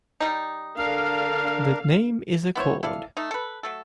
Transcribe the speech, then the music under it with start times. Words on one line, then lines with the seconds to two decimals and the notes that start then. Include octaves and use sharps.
The name is a cord.
0.20 G3 D#4
0.78 D3 D4 A#4 F5
2.55 B3 E4 C5 C#5
2.83 E4 A4 D5 F5
3.17 A3 D#4
3.31 A4 B4
3.63 F#3 A3 A4